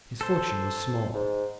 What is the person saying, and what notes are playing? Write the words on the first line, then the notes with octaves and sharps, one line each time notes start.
His fortune was small.
A4 C5
G#2